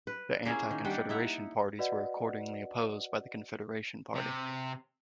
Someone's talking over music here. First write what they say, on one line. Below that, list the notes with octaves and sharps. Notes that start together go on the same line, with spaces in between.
The Anti-Confederation parties were accordingly opposed by the Confederation Party.
B4
A#3 C#4 E4 G#4
D#3
G3 D4 F#5 G5
D#4 E4 E5 F#5
F#4 B4 D5 D#5 F#5
C3